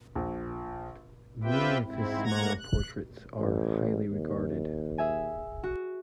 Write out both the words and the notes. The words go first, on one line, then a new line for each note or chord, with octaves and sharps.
Many of his smaller portraits are highly regarded.
A#1
C4 F4 G4 B4 E5 G5
G#2 C4 E4
A2 A#3 F#5 A#5 G#6 A#6
F#6
A1
D#2
G#4 E5 G#5
F#4